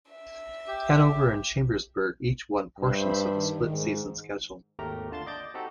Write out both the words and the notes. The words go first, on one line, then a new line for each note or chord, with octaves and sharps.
Hanover and Chambersburg each won portions of the split season schedule.
E5
G4
G2 C5 E5 B5
D#3
G#2
G#1 D#2 A3 G4 A#4 A#5
D3 F4 A5 C6 A6
D5 D#5 D6 G6 A6
C4 D#4 F#4 G4 A4